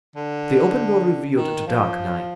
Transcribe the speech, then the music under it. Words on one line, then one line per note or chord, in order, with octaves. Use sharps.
The open door revealed the dark night.
D3
D#3
F3